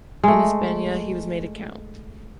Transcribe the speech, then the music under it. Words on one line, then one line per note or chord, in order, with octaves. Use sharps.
In Hispania he was made a count.
G#3 A3